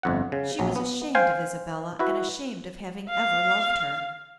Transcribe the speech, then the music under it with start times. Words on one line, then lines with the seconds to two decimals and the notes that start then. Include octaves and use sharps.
She was ashamed of Isabella, and ashamed of having ever loved her.
0.03 G1 F2 F#5
0.32 C#3
0.59 A#1 F#3
0.76 B3
1.15 C5 F5 G5 G#5
1.99 E4 F#4 B4
3.10 F5